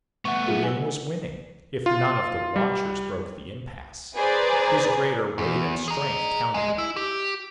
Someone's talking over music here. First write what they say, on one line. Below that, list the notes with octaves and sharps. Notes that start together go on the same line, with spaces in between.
Brion was winning--if none of the watchers broke the impasse. His greater weight and strength counted now.
A3 B3 F#5 C#6
F#3 F4 G#4
G#5 E6
F4
G3
G#4 B4 C5 D5 A#5
E2
G#4 A#5
G#3 D#5
E4
G4